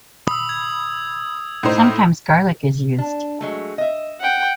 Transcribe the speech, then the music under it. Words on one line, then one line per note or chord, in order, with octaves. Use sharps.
Sometimes garlic is used.
B5 D#6 E6
G#6
A2 D#4 C5
D4
F#3 G#3 A3
D#5 E5
F#5 G5